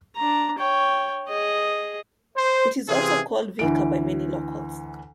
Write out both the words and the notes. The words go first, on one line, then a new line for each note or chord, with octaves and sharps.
It is also called "Vika" by many locals.
D4 A#5
C#5 G5
G#4 D#5
C5
C3 E3 F4 G#4
D2 E3 D7